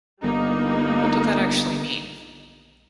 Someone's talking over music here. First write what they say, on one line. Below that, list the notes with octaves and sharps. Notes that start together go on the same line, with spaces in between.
What did that actually mean?
G1 G3 A#3 D#4